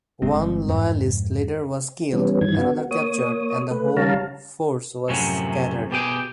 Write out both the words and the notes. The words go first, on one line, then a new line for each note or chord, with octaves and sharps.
One Loyalist leader was killed, another captured, and the whole force was scattered.
G1 G#3 C4
F2 G#2
E3 G3 B3 C#4
G2 D#3 E3 G#6
B3 F#4
A#3 C#5 D#6
A3 B4
C#3 G3 C#5 F5 A5 A#5
F#2 A2 C3 F3 F#3 C#4
B2 G4 G#4 G5